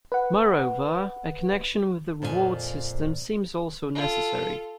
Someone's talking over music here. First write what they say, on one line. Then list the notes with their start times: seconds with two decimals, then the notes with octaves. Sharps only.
Moreover, a connection with the reward system seems also necessary.
0.12 B4 F#5
2.22 F2 A#2 F4 G4 G#5
3.95 F4 A4